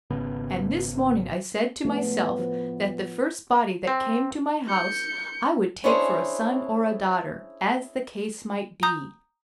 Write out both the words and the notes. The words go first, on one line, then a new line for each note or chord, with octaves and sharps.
And this morning I said to myself that the first body that came to my house I would take for a son--or a daughter, as the case might be.
G#1 C#3 B3
A2 F3 G#3 A3 B3
F3
C4
G6 C#7
C#4 D4 E4 G#4 C5 C#5
A#5 D#6 G6